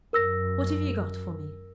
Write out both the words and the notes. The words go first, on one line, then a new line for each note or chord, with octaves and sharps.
What have you got for me?'
F#2 A#4 E6 A#6